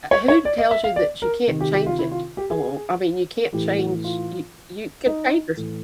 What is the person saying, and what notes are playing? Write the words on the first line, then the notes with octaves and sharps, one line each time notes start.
u uh, who tells you that you can't change it along I mean, you can't change you you can change yours
C#5
C#5
D5
D#5
E5
F5
D5
A#4
C3 D#3
G4
G4
F4
E4
F4
G4
G#4
A2 E3 G4
F#4
F4
D#4
A2 E3